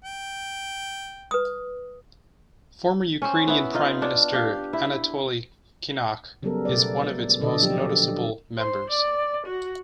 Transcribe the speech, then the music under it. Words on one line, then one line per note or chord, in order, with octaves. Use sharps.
Former Ukrainian Prime Minister Anatoliy Kinakh is one of its most noticeable members.
G5
B4 D#6
C4 C#4
B3 E4
D#4 F4
D4
G4 F5
E4
C#3 F#3 G3 B3 A4 A#4
B2 A3 B4 D5
A#2 D3 A4 D5 D#5
F3 F#3 D4 G4
C5
D5
F#4